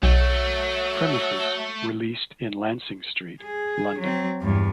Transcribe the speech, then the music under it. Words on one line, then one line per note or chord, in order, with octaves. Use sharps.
Premises were leased in Lancing Street, London.
B1 F#3 A3
G#4
F#3 C4
E2 G2